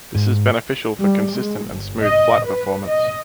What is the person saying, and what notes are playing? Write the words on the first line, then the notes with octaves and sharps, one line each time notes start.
This is beneficial for consistent and smooth flight performance.
G#2
G3
G#3
G1
D#5
B4
D#5